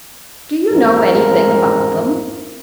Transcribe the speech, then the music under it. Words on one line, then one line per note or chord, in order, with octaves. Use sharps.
Do you know anything about them?'
A1 F2 G#2 A#4